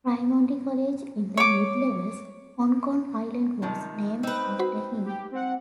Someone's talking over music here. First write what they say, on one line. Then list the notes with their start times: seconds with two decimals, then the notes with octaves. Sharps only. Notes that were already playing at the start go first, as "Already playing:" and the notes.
Raimondi College in the Mid-levels, Hong Kong Island was named after him.
1.37 C#5 D6
3.62 C3 D#3 F3
4.23 C4 D#4 B4
4.59 F#4 C5 B5
5.05 G4
5.31 C4 F#5